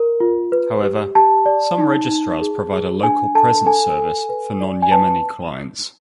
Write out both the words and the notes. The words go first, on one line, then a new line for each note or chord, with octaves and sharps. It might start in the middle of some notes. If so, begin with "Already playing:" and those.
However, some registrars provide a local presence service for non-Yemeni clients.
Already playing: A#4
F4
B4
G4
G4 A5
D5
D#4
D#4
G#4
G#4
D4 G#5
A4 A5
A4 G#5
A4
B4
D5
G#5
B4 A5